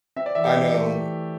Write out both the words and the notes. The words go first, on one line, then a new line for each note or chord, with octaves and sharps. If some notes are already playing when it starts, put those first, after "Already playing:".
I know
C4 E5
D5
E3 E5
G4 G5
E3
A3